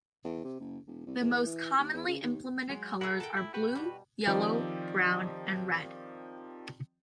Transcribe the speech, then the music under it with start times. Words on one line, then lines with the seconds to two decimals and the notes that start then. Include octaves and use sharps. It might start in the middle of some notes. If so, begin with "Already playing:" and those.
The most commonly implemented colours are blue, yellow, brown, and red.
0.25 E2
0.45 C3
0.60 F#1
0.87 E1
1.07 C2
1.21 E2
1.46 E3
1.79 D#2
1.94 E2
2.08 C#3
2.22 D#2
2.70 F#3 G#3
3.01 E4 G#4 A#4 F#5
3.20 A4 G5
3.37 E4
3.54 F#4 G4 B4
3.75 B2 G3
4.27 D#3 F3 C4 G4 D5 D#5